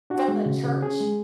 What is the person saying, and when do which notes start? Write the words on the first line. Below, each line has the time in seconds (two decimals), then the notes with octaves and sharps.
From the church?
0.10 D4 F#4
0.28 G#3
0.46 C#3
0.64 C#3
0.82 C#4 G#4
1.00 G#3